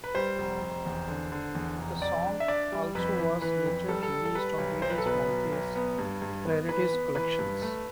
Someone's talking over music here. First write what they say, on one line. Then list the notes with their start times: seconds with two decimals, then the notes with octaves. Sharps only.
The song also was later released on various Monkees rarities collections.
0.04 B4
0.15 G3 C5
0.38 F1
0.62 F1
0.85 E2
1.08 D3
1.32 D3
1.55 E2
1.78 F1
2.02 F2 D5
2.25 D4
2.40 E5
2.48 D4 D5
2.72 G3
2.95 F2 B4
3.19 E3
3.42 E3 B4
3.66 F2
3.88 G3 A4
4.03 A4
4.12 G3
4.25 A4
4.35 G3 B4
4.58 B1
4.82 B1 C5
4.90 B4
4.98 A4
5.06 B2 B4
5.29 B1
5.52 B1
5.76 B3
5.99 G2
6.22 G2
6.46 B3
6.69 E3 B4
6.92 B3
7.15 E3 B4
7.39 G2
7.62 A3